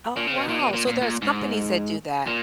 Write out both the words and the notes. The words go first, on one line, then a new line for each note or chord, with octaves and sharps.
Oh, wow, so there's companies that do that?
A#2
C#3
B2
A#2
B2
A#2
A#2
A#2
G#2
A#2